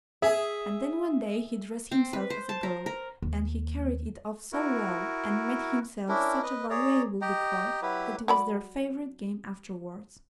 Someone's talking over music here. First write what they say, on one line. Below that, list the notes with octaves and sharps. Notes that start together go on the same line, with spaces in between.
And then one day he dressed himself as a girl, and he carried it off so well, and made himself such a valuable decoy, that it was their favourite game afterwards.
G#4 E5
C4
B4
C5
A5
A#4
A#4
D#2
E4 F#4 A#4
C#4 D4 E4 A#4
B4 D#5
G#4 C#5 D5 A#5
G4 D#5 G5 A#5
F#3 E4 G4 B4
F#3 D5 B5